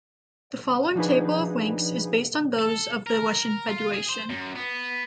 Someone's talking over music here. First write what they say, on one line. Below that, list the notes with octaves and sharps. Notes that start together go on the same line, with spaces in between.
The following table of Ranks is based on those of the Russian Federation.
F3 D4 D#4 F#4 G#4 B4
A4
A#4
F4
G#4
C5
F#2
B3